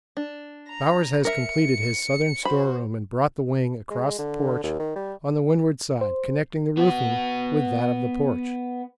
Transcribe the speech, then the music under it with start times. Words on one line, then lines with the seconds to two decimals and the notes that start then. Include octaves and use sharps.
Bowers has completed his southern storeroom and brought the wing across the porch on the windward side, connecting the roofing with that of the porch.
0.17 D4
0.69 A#5
1.25 A#4 E5 C#7
2.45 F#4 C5 B5
3.90 G#3
4.18 D3
4.64 D#2
4.79 D#3
4.96 G3
6.01 C5
6.77 B3 F#4